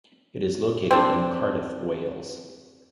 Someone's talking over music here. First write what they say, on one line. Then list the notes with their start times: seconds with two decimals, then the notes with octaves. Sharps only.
It is located in Cardiff, Wales.
0.91 C4 D4